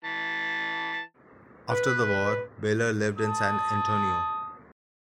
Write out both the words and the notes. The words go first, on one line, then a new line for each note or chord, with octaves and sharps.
After the war, Baylor lived in San Antonio.
E3 A5
B4
A5 D#6